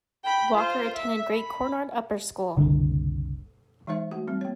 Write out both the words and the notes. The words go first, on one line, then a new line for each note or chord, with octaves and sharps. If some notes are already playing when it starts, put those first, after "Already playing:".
Walker attended Great Cornard Upper School.
G5 B5
F4 C5
E5
B5
F#1 C2 D3
E3 G#3 D#4 C5 E5
A3 F#4
G3 C4
A#3 C#5